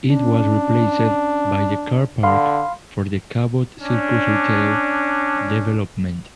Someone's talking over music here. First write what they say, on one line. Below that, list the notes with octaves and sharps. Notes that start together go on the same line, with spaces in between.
It was replaced by the car-park for the Cabot Circus retail development.
C#4 D4
D3 F5 B5 C6
C#4 D4